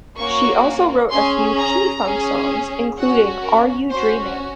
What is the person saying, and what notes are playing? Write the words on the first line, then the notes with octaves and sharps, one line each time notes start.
She also wrote a few P-Funk songs including Are You Dreaming?
A#3 C#4 F#4 C#6
C#4 G#4 C6
A#5
C#4 G#4
C#4 F#4 F#5
A#4
C#4 F#4 C5